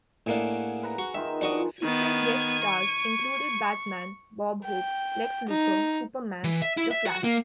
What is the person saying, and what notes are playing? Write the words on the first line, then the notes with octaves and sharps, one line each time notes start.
Infrequent guest stars included Batman, Bob Hope, Lex Luthor, Superman, the Flash.
A2 A#3 D4 G#4 F#5
B4 F#5 A#5
F#4
D#3 D#4 F4 E5
F3 D4 F#4 D#5
D#3 B3 G#6 D#7
C#6
G5
D#4
E3
E5
E4
E5
F#4
A#3